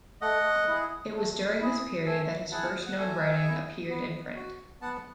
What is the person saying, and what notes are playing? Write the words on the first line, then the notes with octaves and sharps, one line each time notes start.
It was during this period that his first known writing appeared in print.
A3 D#5 F#5
E4 G#4
A3
E4 G#4
A3 E5 G#5
E4 G#4 F#5 A5
F#5
A3 E5 G#5
E4 G#4
B3
F#4
B3 F#5 A5